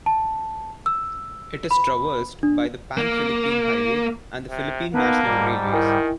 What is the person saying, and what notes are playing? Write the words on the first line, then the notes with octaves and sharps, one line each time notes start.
It is traversed by the Pan Philippine Highway and the Philippine National Railways.
A5
E6
B5
D4
A#3
C3
A#3 B3 D#4 B4 F5 F#5 A5
G#2 G3 A#5
D#3 E4 A#4 G5 G#5